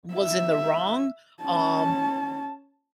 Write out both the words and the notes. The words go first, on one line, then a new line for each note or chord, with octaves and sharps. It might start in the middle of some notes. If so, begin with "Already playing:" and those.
was in the wrong, um,
E5
C#4 A5